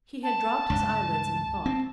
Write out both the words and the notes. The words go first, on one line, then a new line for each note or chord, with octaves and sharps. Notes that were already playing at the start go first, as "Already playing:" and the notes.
He had dropped his eyelids in thought.
A5
C#2 G2
C4